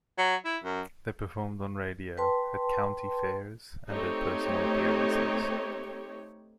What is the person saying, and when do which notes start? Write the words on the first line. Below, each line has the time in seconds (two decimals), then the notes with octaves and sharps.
They performed on radio, at county fairs, and did personal appearances.
0.18 F#3
0.45 E4
0.64 F#2
2.17 B4 G5 A5 C6
3.90 A3 C4 D#4 G4 C#5